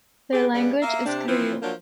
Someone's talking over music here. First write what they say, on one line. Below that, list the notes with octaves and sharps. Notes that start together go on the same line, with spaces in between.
Their language is krio.
C4 G4 G#4
C#3 G3 B3
A#3 E5
C3 D4
E3 F3 C4
F3 F#3 A#3 D4